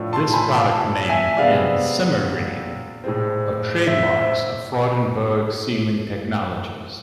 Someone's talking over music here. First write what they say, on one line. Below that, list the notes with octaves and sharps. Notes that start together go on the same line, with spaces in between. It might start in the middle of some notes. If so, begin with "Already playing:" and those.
This product name and "Simmer-Ring" are trademarks of Freudenberg Sealing Technologies.
Already playing: A2 F3 A3 D4
A5 C6
G#5 B5
F5 A5
E5 G#5
C3 G#3 B3 D4 D5 F5
A2 G#3 C4
C5 E5